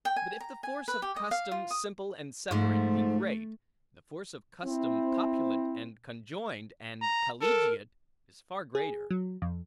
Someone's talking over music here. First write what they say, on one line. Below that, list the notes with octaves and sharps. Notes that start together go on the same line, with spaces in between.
But if the force of custom simple and separate, be great, the force of custom copulate and conjoined and collegiate, is far greater.
G5
G#5
A#5
G#5
B4
G4
D#5
F5
F4
D#6
G#2 F3 A3
C4 E4
A#5
A4 A#4
G#4
F#3
F2